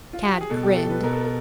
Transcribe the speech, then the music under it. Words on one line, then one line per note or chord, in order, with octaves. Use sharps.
Tad grinned.
F4
F#4
G4
G#4
B2 A4
G4
A4
B4
B2 A#4
A4
A#4